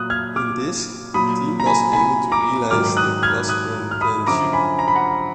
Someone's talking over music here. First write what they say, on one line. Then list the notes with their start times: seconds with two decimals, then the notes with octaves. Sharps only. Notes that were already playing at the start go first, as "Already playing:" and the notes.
In this, the team was able to realize the class retention.
Already playing: A#2 F#3 D#6 F#6
0.10 F6 G#6
0.36 D6 F6
1.14 A#2 F#3 B5 D#6
1.60 A#5
1.66 G#5 B5
1.93 G#5 B5
2.32 A#5 D6
2.71 G#2 D#3 F#3 D6 F6
2.97 D#6 F#6
3.23 F6 G#6
3.49 D#6 F#6
3.91 F6
4.01 B5 D#6
4.27 F#2 D3 F3 A#5 D6
4.53 G#5 B5
4.79 A#5
4.88 B5
4.95 F#5 A#5